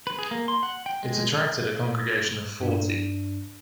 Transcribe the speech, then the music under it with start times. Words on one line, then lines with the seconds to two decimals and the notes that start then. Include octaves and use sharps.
It attracted a congregation of forty.
0.07 B4
0.19 G#4
0.31 A#3
0.48 C6
0.63 F#5
0.86 G5
1.03 G#3
2.60 G2 D4